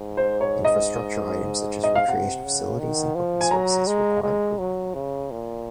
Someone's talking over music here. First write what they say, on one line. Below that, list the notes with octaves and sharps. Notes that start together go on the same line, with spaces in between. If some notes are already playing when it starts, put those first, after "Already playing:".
Infrastructure items such as recreation facilities and booking services require improvement.
Already playing: G#2
C5
C#5
D#5
D#5
F5
C3 F#5
C#3
D#3
F3
G#5
F#3 A#5
G#3
G#3
F#3
C#3
A#2